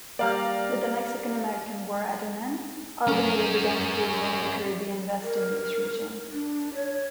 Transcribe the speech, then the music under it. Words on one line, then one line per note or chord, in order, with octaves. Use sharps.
With the Mexican-American War at an end, "Albany" began cruising the Caribbean-West Indies region.
G3 A#3 D5 F5 A#5
C#4 A#4
A#4
D4
C#5